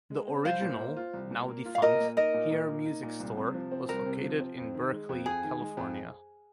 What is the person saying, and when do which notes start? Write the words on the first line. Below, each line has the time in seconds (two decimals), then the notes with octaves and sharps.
The original, now-defunct Hear Music Store was located in Berkeley, California.
0.11 G#3
0.28 C4
0.45 C2 C5 F5
0.62 A#2
0.79 A#3
0.96 F4
1.13 C2
1.31 A#2
1.48 A#3
1.65 F4
1.75 F5
1.82 A#2 A#4 D#5
2.00 A#3
2.17 D#4 A#4 D#5
2.34 A#2
2.51 A#2
2.69 A#3
2.86 D#4
3.03 A#2
3.20 C2
3.37 C3
3.54 F3
3.71 C4
3.89 C2 A#4
4.06 C3
4.23 F3
4.40 C4
4.58 F2
4.74 D#3
4.92 G#3
5.09 F2
5.26 F2 G#4
5.43 D#3
5.60 G#3
5.77 F2